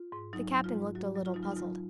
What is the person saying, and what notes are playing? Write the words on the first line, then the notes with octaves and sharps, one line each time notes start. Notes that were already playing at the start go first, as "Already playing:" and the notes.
The Captain looked a little puzzled.
Already playing: F4
G#2
F#3 D#4
F#3
F4
G#2
F#3 F#4
F#3
F4
F#3 D#4
F4
D#4
F#3 F4